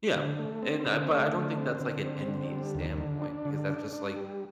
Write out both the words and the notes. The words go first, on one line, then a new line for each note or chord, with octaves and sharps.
Yeah, and, um, but I don't think that's, like, an envious standpoint because that's just, like,
D3
A3
C4
D3
A3
D3
C4
D3
C4
D3
G3
D#2
D3
D4
D3
D4
D4
G3